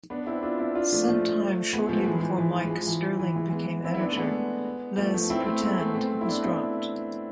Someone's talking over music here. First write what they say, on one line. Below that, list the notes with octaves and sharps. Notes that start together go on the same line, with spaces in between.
Sometime shortly before Mike Stirling became editor, Les Pretend was dropped.
B3 D4
C4 E4
D4 F4
C4 E4
D4 F4
F3 A3
F3 A3
G#3 B3
F3 A3
E3 G#3
F3
E3
F3
G#3
F3
E3
E3
E3 G#3
G#3 B3
C4 E4
E4
B3 D4
A3
G#3 B3
F3 A3
F3 A3
C4 E4
A3 C4
G#3 B3
A3 C4
A3 C4
E4
B3 D4
C4 E4